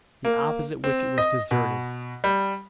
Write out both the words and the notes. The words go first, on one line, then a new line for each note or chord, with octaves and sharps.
The opposite wicket was deserted.
A#3
C4
D#5
B2
G3